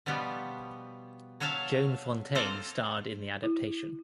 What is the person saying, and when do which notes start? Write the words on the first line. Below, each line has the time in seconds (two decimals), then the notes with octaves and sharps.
Joan Fontaine starred in the adaptation.
0.06 B2 F3 G3 B3
1.40 F#3 C#5 E5 F5 A5
2.35 A#3 C4 F4 A4 C5
3.44 E4